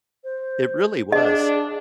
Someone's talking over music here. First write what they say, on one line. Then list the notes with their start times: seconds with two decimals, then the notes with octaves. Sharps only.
It really was.
0.24 C5
1.12 D4 G#4 D#5